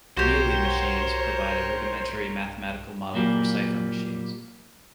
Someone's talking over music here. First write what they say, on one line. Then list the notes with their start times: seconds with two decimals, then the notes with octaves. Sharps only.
Mealy machines provide a rudimentary mathematical model for cipher machines.
0.17 B1 F#4 G4 A#4 C5 C#5
3.14 A#2 F#3 G3 A#3